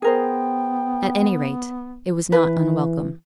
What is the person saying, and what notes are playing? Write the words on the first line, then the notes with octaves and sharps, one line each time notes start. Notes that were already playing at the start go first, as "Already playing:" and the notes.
At any rate, it was not unwelcome.
B3 G#4 A#4 C5 G5
E3 B4